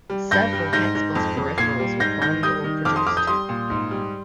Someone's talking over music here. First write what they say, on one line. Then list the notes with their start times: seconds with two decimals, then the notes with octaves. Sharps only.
Several HexBus peripherals were planned or produced.
0.10 G3
0.31 G2 G6 A#6
0.53 G3
0.73 G#2 G6 A#6
0.95 G#2
1.15 F2
1.37 F2
1.58 A#2 G#6 C7
1.79 G3
2.00 G#2 G6 A#6
2.22 D#3 G6 A#6
2.43 G3 D#6 G6
2.64 D#3
2.85 F2 D6 F6
2.96 C6 D#6
3.07 F2 D6 F6
3.17 D#6 G6
3.27 G3 C6 D#6
3.49 A#2
3.70 G#2
3.91 G3